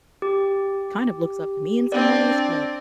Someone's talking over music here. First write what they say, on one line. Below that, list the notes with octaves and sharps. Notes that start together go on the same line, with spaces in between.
kind of looks up to me in some ways, but
G4
C4 D4 D5